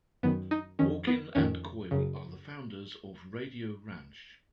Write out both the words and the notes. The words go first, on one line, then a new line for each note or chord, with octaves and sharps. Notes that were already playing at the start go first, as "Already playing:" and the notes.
Orkin and Coyle are the founders of Radio Ranch.
F#2 D#3 B3
D#4
F2 D#3 C#4
B3
F2 D#3 C#4
F#2 C#3